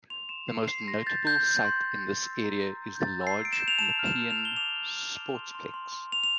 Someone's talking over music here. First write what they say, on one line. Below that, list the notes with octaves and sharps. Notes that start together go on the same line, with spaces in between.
The most notable site in this area is the large Nepean Sportsplex.
C6 F7
C6 E7
C6 C7
C6 C7
C6 A#6
G6 A6
C6 G6
G6
C6
G6
G6
E6
A#5
A#5
G6
G6
A#5 A6
E6
C7
E6
D7
E7
G6
F7
A5 E7
F6
E7
A5
F7
A5
G7
D6 F7
F6
F6
D6
C6
C6
C6
C6
C6 F7
F7